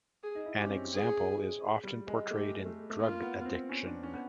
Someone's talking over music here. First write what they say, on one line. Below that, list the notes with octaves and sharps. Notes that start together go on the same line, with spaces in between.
An example is often portrayed in drug addiction.
G#4
D#4
E4
G4
C#4
C4
G#4
G3
G#3
A3 G4
A3
A3
A#3 F4
B3
C4
C#4
D4
C#4
B3